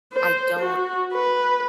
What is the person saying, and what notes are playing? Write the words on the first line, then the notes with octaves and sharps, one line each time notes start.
I don't
C5
F#4
B4